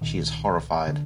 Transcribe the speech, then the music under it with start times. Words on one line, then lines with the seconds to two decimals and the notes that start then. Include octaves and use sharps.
She is horrified.
0.01 C2 A#2 D#3
0.88 D3